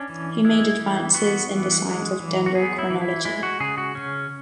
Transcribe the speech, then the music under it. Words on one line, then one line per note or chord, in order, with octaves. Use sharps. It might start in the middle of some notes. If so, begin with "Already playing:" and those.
He made advances in the science of dendrochronology.
Already playing: C#4 D4
E3
G#3 E4
E3
B3 F#4
E3
G#3
E3
F#4
B3 G#4
E4
E3
E4
G#3 E4
F#4
C#3 G#4
F#4
C#4